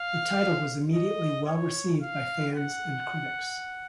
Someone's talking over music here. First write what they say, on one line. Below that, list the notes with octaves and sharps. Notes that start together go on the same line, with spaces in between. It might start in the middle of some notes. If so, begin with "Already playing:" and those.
The title was immediately well received by fans and critics.
Already playing: F5
D#5
C#5
F5
F#5